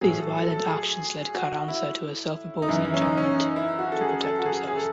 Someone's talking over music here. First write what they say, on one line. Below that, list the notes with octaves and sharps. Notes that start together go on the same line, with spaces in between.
These violent actions led Carranza to a self-imposed internment to protect himself.
A2 F#3 G#4
A4
A4
A4
G#4
F#4
E4
D#4
F#2 C#3 E3 E4
E4
C#4
D#4
C#4
D#4
E4
F#4
A4
G#4
A4
F#4
G#4
G#4
A4